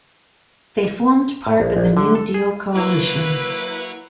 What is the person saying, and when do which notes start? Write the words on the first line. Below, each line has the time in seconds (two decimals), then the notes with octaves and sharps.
They formed part of the New Deal Coalition.
1.47 A2
1.60 A#1
1.77 A#1
1.97 D3
2.15 A4
2.34 G#4
2.75 A#3 E4 F#4 B4 C#5